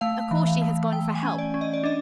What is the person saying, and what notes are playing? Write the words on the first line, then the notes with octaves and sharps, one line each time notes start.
Of course she has gone for help.
A3 F5
E3
F5
A3
A3 G5
G#5
C#4
D5
C#4
D#5
D5
D4 D#5